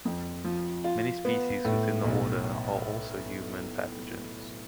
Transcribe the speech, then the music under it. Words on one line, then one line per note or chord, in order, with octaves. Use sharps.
Many species within the order are also human pathogens.
F2
F3
F4
B3
A2
B1